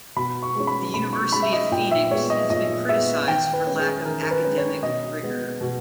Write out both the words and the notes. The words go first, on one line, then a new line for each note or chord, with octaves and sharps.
The University of Phoenix has been criticized for lack of academic rigor.
B2 B5
C#6
G#3 C#4
B5
B2 B5
C#6
G#3 C#4 B5
E5
D#5
A#2 G5
E5
G#3 B3 C#5
D#5
A#2 D#5
G#3 B3 E5
D#3 G5
B4
G#3 C#4
G#4
D#3 A#4
A#4
B4
G#3 C#4
C#5
B2 D#5
G#3 B3
B2